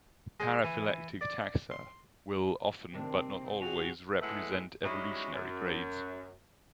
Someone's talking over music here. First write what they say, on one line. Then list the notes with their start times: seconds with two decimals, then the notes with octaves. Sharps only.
Paraphyletic taxa will often, but not always, represent evolutionary grades.
0.40 G#3
0.64 E3
1.21 D5
1.71 C6
2.94 C3 D#3 C4 D4
3.60 F#4 G#4 F7
4.22 A2 G#3 A3 B3 E5 F#5
4.84 G3 G#3 C#4 D#4 E4 F#4
5.33 F#2